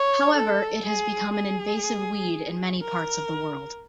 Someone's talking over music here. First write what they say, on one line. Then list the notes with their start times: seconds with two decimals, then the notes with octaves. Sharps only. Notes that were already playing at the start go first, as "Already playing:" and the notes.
However it has become an invasive weed in many parts of the world.
Already playing: C#5
0.36 A4
0.86 G#4
1.35 G#4
2.82 A#4